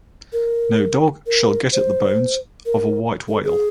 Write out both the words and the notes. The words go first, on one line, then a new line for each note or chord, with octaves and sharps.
No dog shall get at the bones of a white whale.
A#4
A#4
C5
A#4
A4
G#4